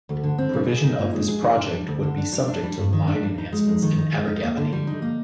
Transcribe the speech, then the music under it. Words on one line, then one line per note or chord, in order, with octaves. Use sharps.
Provision of this project would be subject to line enhancements in Abergavenny.
D2
D3
C4
G3
G#4
D#4
A#2
G#3
G#4
D#4
D4
G3
D2
D3
D4
G3
D4
G3
G2
D#3
D4
G3
D#4
G#3
F2
D#3
D#4
G#3
D#4
A#3
D3
G3
D#4
A#3